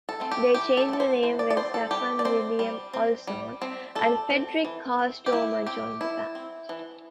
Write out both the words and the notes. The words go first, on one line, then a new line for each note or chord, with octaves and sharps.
They changed the name when Staffan William-Olsson and Fredrik Carl Stormer joined the band.
A4
A3 C4
G4
E3 G4
A4
A3 C4 A4
C5
E3 C5
D5
D5
A3 C4 C5
A4
G3 G4
D5
C4 C5
G3
C4
G3
C4
G3 A4
C4
E3
C4
G4
E3 E4
C4 G4
E3 E4
C4
E3